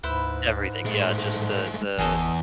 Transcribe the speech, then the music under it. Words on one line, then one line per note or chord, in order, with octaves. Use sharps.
everything, yeah, just the the
D2 G#2 E4 B4 C5
A2 G#3 A3
G1 E2 G#4 A4 D#5 G#5